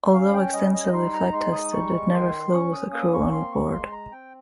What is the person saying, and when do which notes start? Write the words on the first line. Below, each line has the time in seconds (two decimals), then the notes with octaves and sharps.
Although extensively flight tested, it never flew with a crew on board.
0.13 C#4 F5
0.34 G5
0.53 G3 D#5
0.74 D#5
0.93 D#4 C6
1.13 A#5
1.33 G#3 C6
1.53 D#6
1.72 G3 C#6
2.12 D#3 C6
2.52 C#4 C#6
2.73 D#6
2.92 A#3 D#6
3.13 C#6
3.32 C4 C6
3.52 C#6
3.72 G#3 C6
3.92 A#5
4.12 C4 G5